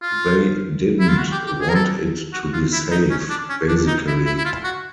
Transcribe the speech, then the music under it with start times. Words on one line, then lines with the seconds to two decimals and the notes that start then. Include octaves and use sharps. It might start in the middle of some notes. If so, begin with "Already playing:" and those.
They didn't want it to be safe, basically.
0.02 F4
1.00 E4
1.08 F4
1.18 F#4
1.32 G4
1.46 G4
1.61 G#4
1.69 A#4
1.75 A4
2.33 F#4
2.53 F4
2.72 E4
2.91 D#4
3.10 C#4
3.29 D4
3.49 C#4
3.68 D4
3.87 D#4
4.07 E4
4.26 E4
4.38 E4
4.45 F4
4.64 F#4